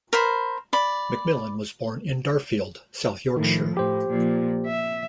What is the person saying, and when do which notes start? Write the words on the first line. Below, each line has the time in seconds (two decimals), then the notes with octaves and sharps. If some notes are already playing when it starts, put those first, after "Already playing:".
McMillan was born in Darfield, South Yorkshire.
0.13 A#4 C5 B5
0.73 D5 B5
3.37 A2 D#3 F3
3.77 A2 G4 C5
4.10 A#2 F3
4.66 E5